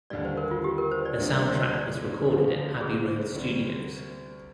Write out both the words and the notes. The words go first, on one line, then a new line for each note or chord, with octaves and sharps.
The soundtrack was recorded at Abbey Road Studios.
D#2 D3 G3 D5
C5
A#4
F4
G4
A#4
C5
D5
D2 D3 G3 A#3 D4
D5
D2 D3 F3 A#3
G#4
D2 C3 G3